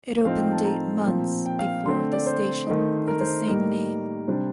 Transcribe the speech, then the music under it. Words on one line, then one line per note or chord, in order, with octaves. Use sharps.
It opened eight months before the station of the same name.
A2 F3 A3 C4 D#4 F5
G5
A5
A#5
A#2 F3 C4
G5
F5
D3 A3 C4 C6
D5
C5
D#3 A3 D#4
A#4
C5
A2 G3 A#3 D#4 A#4
C3 G3 D4 C5